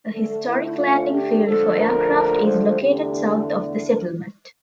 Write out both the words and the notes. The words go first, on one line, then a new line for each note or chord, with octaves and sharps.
A historic landing field for aircraft is located south of the settlement.
D3 A3 D4 A4
E4
F4
G4
D3 F3 A3 A4
A#4
C5
E2 D3 A3 D4 G4